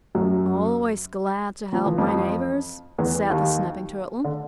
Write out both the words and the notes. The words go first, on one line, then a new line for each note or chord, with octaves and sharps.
"Always glad to help my neighbors," said the Snapping Turtle.
F#2 F#3
F3
E3
F2 F3
E2 E3
D#2 D#3
D3